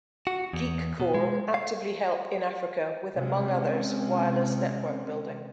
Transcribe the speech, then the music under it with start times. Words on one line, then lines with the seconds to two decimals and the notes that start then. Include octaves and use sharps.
Geekcorps actively help in Africa with among others wireless network building.
0.27 F#4
0.53 E2
1.00 B2
1.14 G#3
1.54 F5
3.14 C3 G#3 C4 C#4